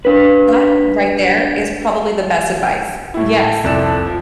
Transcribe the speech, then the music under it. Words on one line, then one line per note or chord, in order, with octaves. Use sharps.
That right there, is probably the best advice. Yes.
D4 B4
A2 E4
A5
C2 F2 A4 D5 E7
F3